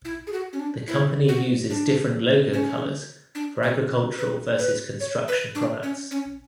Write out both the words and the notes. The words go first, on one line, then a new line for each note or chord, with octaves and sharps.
The company uses different logo colors for agricultural versus construction products.
E4
G#4
F#4
C#4
D4
E4
F#4
D4
C#4
D4
F#4
B4
B4
C#5
B4
D4
C#4
C#4